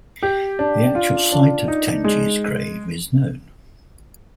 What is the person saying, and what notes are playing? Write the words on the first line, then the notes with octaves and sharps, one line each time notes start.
The actual site of Tenji's grave is known.
G4
D4
F4
D4
D#4
G#3